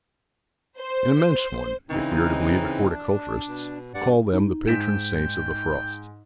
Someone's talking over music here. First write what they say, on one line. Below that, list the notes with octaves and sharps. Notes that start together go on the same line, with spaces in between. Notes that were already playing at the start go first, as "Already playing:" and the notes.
"An immense one, if we are to believe horticulturists, who call them the patron saints of the frost."
C5
C#3 E3 C4 D#4
D4
B2
G2 D5 F#5
D#4
G#2 G5 B6 E7